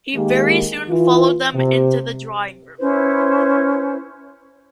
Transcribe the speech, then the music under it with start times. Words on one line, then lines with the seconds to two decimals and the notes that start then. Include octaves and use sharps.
He very soon followed them into the drawing-room.
0.16 D#3 G#3 A#3 G4
0.89 E3 F4
1.55 C3
2.79 C#4 E4 B4 C5